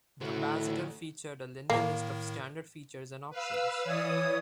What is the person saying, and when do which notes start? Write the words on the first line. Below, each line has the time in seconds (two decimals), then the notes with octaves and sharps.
The Ambassador featured a lengthy list of standard features and options.
0.21 A2 D3 F#4
1.70 A2 D#3 A#3
3.30 B4 F5 E6
3.85 E3 C#5 D5 D#6